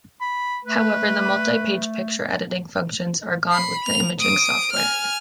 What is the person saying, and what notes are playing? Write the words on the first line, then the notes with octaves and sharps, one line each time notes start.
However, the multi-page picture editing functions are gone with the Imaging software.
B5
A3 B4
B5 C7
F7
D#6 D7
G#5 F6